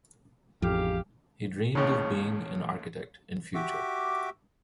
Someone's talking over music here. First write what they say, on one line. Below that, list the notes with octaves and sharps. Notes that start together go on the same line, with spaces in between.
He dreamed of being an architect in future.
A1 F2 G#2 G4 F5
A1 D#2 A2 C#3 G#3 C#4
F#4 G4 E5 D6